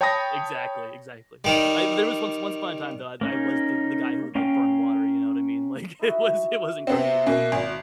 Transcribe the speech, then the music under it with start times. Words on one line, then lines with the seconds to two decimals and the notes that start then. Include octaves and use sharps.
exactly, exactly. I there was once once upon a time that I I was the the guy who would, like, burn water, you know what I mean, like it was it wasn't great.
0.01 C#5 G5 A5 B5 D#6 A#6
1.44 D#3 G3
3.21 A#3 C#4 D#4
4.35 A#3 C#4 F5 G5
5.99 D#4 E4 F#4
6.87 C3 B3 C4 D5 E5
7.26 B2 A#3
7.52 G#1 F#3